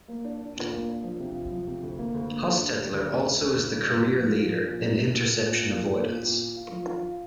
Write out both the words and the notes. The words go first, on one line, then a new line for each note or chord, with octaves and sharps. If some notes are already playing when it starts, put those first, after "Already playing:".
Hostetler also is the career leader in interception avoidance.
A#3
D4
D4
A#2
A#3
D4
F3
C3
F4
F3
C3
D2
A#3
D2
A#3
D3
D2
G3
D2
C4
D2
D2
D2
G2
G2
G2
F3
G2
F3
A#2
C2
C2
A#2
A#2
A#2
A#3
A#2
A#3
A#2
A#2
A#2
F4
F3
F4
F4